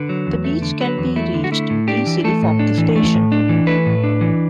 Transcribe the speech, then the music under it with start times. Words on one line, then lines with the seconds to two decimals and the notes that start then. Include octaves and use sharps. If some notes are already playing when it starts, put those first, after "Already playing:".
The beach can be reached easily from the station.
Already playing: D3 B4
0.09 F#3
0.27 E2
0.44 A3
0.62 D3
0.81 F#3 B4
0.98 E2
1.16 A3 E4
1.34 D3
1.44 F#4
1.52 A3 E4
1.70 A2
1.88 D4 G4
2.07 E3
2.24 A3 A4
2.42 A2
2.59 D4
2.78 E3
2.96 A3
3.14 A2
3.32 D4
3.49 E3
3.67 A3 B4
3.86 A2
4.04 D4
4.21 E3